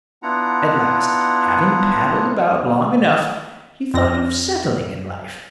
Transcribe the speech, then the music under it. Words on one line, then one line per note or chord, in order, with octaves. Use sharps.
At last, having paddled about long enough, he thought of settling in life.
B3 D4 E4 F4 F#5 A#5
F2 C4 A#6